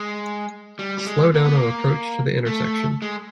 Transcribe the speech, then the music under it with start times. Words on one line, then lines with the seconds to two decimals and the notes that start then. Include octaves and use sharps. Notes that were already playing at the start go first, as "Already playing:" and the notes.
Slow down on approach to the intersection.
Already playing: G#3
0.79 G3
0.98 G3
1.06 G#3
1.34 A#3
1.44 B3
1.55 A#3
2.46 A3
3.02 G#3